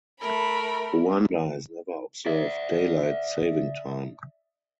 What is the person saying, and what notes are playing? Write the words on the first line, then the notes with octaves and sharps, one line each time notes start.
Rwanda has never observed daylight saving time.
A3 A#4 B5
D5 E5